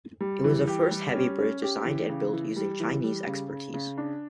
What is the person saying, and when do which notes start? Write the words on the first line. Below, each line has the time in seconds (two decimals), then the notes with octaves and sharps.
It was the first heavy bridge designed and built using Chinese expertise.
0.21 G3
0.44 E3
0.68 G4
0.91 G3
1.15 C#4
1.39 C#4
1.62 G4
1.85 E3
2.09 C#3
2.33 E3
2.56 G3
2.80 E3
3.04 G3
3.27 C#3
3.50 C#3
3.74 C#3
3.98 D4